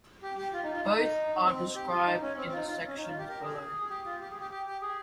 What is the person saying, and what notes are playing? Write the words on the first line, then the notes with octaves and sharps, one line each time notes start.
Both are described in the sections below.
G4
G4
F4
D#4
F4
D#4
D#4
C4
G4
F4
D#4
C#4
C4
C4
F4
D#4
F4
C#4
D#4
F4
G4
G4 A#4
G#4
G#4
G4
F4
G4
G#4
G4
G4
G4
G#4